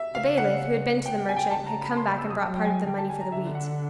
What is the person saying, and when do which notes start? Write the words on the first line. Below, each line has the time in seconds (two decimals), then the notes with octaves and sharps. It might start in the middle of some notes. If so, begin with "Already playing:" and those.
The bailiff, who had been to the merchant, had come back and brought part of the money for the wheat.
Already playing: E5
0.14 C#3 F5
0.38 F#5
1.06 G5
1.29 G#5
1.36 G5
1.43 G#5
1.51 C#3 A5
1.66 A#5
1.81 B5
1.97 C6
2.08 C#6
2.18 E6
2.30 D#6
2.41 F#3 A5
2.55 G5
2.65 G#5
2.87 D3 G5
2.98 A5
3.09 G#5
3.21 A#5
3.32 D3 E5
3.55 F#5